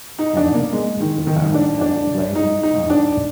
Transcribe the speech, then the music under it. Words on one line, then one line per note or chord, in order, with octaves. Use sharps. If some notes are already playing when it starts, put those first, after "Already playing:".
Hence, the fans had to play this part.
D#4
D4
A#3
G#3
D#3
D#3
D4
D4
D#4
D#4
D4